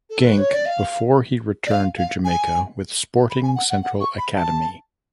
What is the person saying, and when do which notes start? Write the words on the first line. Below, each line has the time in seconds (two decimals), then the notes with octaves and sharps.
Genk before he returned to Jamaica with Sporting Central Academy.
0.10 A4
0.24 B4
0.38 C#5
0.53 D5
0.66 F5
1.67 D5
1.71 F5
1.98 F5
2.25 G#5
3.30 B5
3.43 G#5
3.55 F#5
3.70 F#5
3.83 F#5
4.01 C#6
4.18 B5
4.35 A5